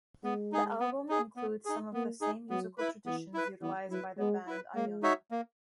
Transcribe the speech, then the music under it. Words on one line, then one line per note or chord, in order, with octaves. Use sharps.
The album includes some of the same musical traditions utilised by the band Iona.
G#3 B3
D#4 G#4
B3
D#4 G#4
B3
D#4 G#4
A#3 B3
D#4 G#4
F#3 B3
E4 B4
E3 B3
E4 B4
E3 B3
F#3 E4 B4
G#3 B3
E4 B4
G#3 A#3
D#4 F#4 C#5 E5
A#3